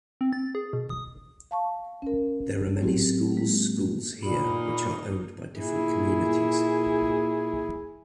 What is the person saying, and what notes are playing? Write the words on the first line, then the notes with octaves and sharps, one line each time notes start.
There are many schools schools here which are owned by different communities.
C4
A6
G#4
B2
D#6
F5 A5 C#6
C#4 A#4
A2 F#3 C4 F#4 G4
G#3 A#3
A#2 A#3 D#4 B5
A#2 E4 G#4